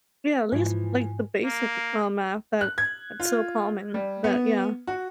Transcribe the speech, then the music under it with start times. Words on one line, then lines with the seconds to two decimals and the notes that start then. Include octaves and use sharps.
Yeah, at least like the basic, uh, math that is so common that yeah.
0.52 G#2 E3 F3 G#5
1.45 A#3
2.61 F#6
2.78 G#6
3.20 F4
3.94 G3
4.24 B3
4.87 F#4